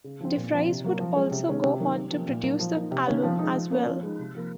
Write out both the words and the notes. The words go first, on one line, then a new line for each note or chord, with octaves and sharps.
DeFries would also go on to produce the album as well.
C#3
F3 C4
A#2
F3 C4
C3
F#3 A#3
F3
G#3 C#4
C3
D#3 G#3 C#4
C3
D#3 F#3 A#3 D#4
C3
F3 A#3 C#4
A#2
F#3 A#3 D#4
F3
A#3 D#4
C3
D#3 A#3 C#4
F3
G#3 D#4
F3
A#3 C#4
F3
G#3 D#4
C3
F3 A#3